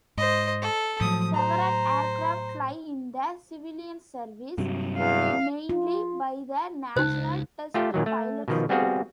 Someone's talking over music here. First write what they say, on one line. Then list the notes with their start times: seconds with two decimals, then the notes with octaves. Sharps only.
Several aircraft fly in the civilian service, mainly by the National Test Pilot School.
0.17 G#2 C5 D#5
0.61 A4
1.01 A2 F3 F#3 D#6
1.34 C5 A#5
4.58 G2 C3 F#3
4.97 E2 F5
5.69 F4
6.97 C#2 D#4 C5
7.74 A3 F4 G4 G5
7.94 A#2 D#3 F#3
8.06 A3
8.48 B2 D#3 F3
8.69 G3 B3 C4 F#4 G#4 F5